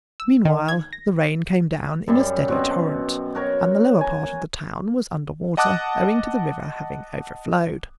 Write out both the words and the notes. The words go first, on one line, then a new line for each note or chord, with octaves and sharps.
Meanwhile, the rain came down in a steady torrent, and the lower part of the town was under water, owing to the river having overflowed.
E6
D#3
G#6
A#6
F#2 G3
B2 C4 F#4
F#4 A#4 C#5
G#5 A#5
D#5 F#5 A5 D6 D#6 F#6